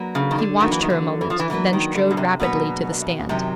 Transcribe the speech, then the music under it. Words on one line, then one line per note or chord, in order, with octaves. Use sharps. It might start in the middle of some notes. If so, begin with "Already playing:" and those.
He watched her a moment, then strode rapidly to the stand.
Already playing: F#3 A#3 D4 F#4 B4
C#3
D#3
D3
D#3 F#3 A#3 D4 F#4 B4
E3
D#3
D3
E3
F3
E3
E3 F#3 A#3 D4 F#4 B4
D#3
D3
B2
C3
B2 F#3 A#3 D4 F#4 B4
F#2 C3 D#3 F#3